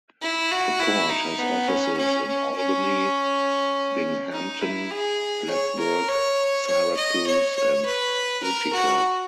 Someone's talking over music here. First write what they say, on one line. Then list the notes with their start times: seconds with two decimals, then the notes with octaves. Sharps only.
The court has offices in Albany, Binghamton, Plattsburgh, Syracuse, and Utica.
0.22 E4
0.51 F#4
0.80 E4
1.09 D#4
1.39 B3
1.68 C#4
1.97 C#4
2.28 C#4
2.56 C#4
4.32 D#4
4.61 E4
4.91 G#4
5.50 C#5
5.79 A#4
6.08 C#5
6.67 C#5
6.97 D#5
7.27 C#5
7.56 C#5
7.86 B4
8.43 A#4
8.73 F#4